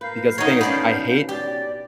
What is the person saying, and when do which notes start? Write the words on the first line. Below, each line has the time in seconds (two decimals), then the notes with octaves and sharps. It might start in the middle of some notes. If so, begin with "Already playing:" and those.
because the thing is, I hate
0.01 A#4 B4 F5 G6
0.38 D#3 D#4 F#4 C#5 D#5
0.61 B2 B3 C#4 D5
1.29 G4 D5